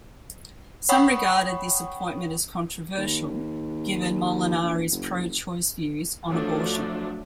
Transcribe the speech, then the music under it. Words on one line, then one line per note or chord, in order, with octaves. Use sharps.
Some regarded this appointment as controversial, given Molinari's pro-choice views on abortion.
C#5 F#5 G5 B5 C#6 D#6
D#2
A#1
F#1
F3 F#3 A3 D4